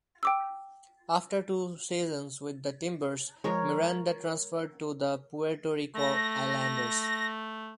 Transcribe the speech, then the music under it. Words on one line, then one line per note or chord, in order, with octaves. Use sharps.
After two seasons with the Timbers, Miranda transferred to the Puerto Rico Islanders.
G5 D6 E6
F3 G#3 A#4 C#5
A3 A#6